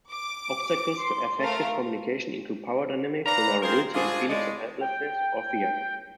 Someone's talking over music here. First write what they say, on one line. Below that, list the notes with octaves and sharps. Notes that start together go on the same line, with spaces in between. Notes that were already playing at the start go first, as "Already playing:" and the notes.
Obstacles to effective communication include power dynamics, vulnerability, and feelings of helplessness or fear.
D6
C6
A3 A#4 F5
B4 D5 F5 A#5
C4 F4 G#4 A#4 C5 C6
B2 C4 D4 F4 G#4
A2 G#3 D5
G5